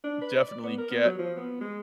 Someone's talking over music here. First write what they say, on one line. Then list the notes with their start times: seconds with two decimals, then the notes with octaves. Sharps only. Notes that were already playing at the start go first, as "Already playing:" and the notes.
definitely get
0.04 D4
0.21 B4
0.37 D5
0.49 D5
0.63 B3
0.78 A#4
0.90 B3
1.05 F#3
1.18 F3
1.37 B3
1.61 G#3